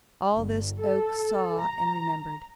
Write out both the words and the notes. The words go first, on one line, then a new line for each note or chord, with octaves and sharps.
All this Oak saw and remembered.
G1
A4
A#5